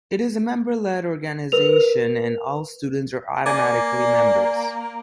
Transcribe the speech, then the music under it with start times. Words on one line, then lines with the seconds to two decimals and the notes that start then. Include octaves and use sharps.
It is a member-led organisation and all students are automatically members.
1.52 A#4 B4 F7
3.46 A#3 D5 G#5